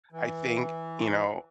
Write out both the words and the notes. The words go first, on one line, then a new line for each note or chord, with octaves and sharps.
I think, you know,
E3